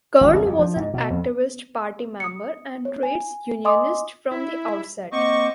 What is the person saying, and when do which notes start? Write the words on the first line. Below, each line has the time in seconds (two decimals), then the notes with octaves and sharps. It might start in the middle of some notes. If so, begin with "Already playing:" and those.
Kern was an activist party member and trades unionist from the outset.
0.21 G#1
0.33 C2
0.46 F2
0.59 F3
0.76 G#2
0.94 B2
1.10 F2
2.20 D#6 C#7
2.85 C#5
3.03 G#5
3.65 D#5 G#5 C6 D6 D#6
4.31 E4
5.12 A#3 C4 D#5 F#5 C#6 D6